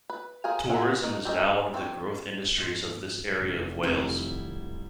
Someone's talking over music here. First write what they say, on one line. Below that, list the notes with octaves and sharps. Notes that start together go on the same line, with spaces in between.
Tourism is now one of the growth industries of this area of Wales.
B4
G#4 A#4 C5 F5 G#5
F4 G#4 E5 F#5
D#4
G4 A4 A#4 C#5 D#5
C4 D4 A4 C#5 G5
G#2 C6
F1
D#3 F#3 G3 C4 E4 C6